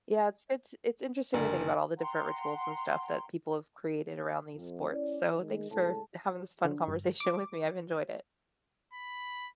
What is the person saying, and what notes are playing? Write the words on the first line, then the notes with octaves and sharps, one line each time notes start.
yeah, it's it's it's interesting to think about all the different rituals, and stuff, that people have created around these sports, so thanks for having this fun conversation with me, I've enjoyed it.
F#1 D3 A#4
F#5 G5 A#5 C6
F2
C#4 E4 D5
D#3 G#3
A2 C#3 G#3 A4 A5
D3
G1
D6
B5